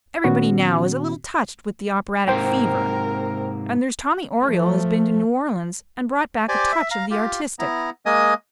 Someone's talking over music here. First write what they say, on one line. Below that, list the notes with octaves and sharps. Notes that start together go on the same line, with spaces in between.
Everybody now is a little touched with the operatic fever, and there's Tommy Oriole has been to New Orleans and brought back a touch of the artistic.
A#2 D#3 B3 C#4 F#4
G#2 C3 A#3 A#4 C5 G5
F3 A3
G4 C5 D5 G#5
E5
F5 A#5
F4 G4
B3 E4 A#5
G#3 A#3 D#5 G#5 D#6